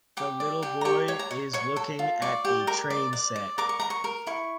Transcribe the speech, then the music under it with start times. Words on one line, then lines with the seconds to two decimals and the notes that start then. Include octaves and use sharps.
The little boy is looking at a train set.
0.17 G4 D6
0.40 D5
0.62 G4
0.81 A#5
0.85 G4 C#6
1.08 C#5
1.19 A#5
1.31 C#5
1.53 C#5 C#6
1.76 A4
1.99 F4
2.22 D5 C#6
2.45 G4
2.67 A#4
2.90 D5
3.13 D5
3.36 D5
3.58 A#4 D6
3.69 C#6
3.80 A#4 A#5
3.90 C#6
4.04 A#4
4.27 E4 C#6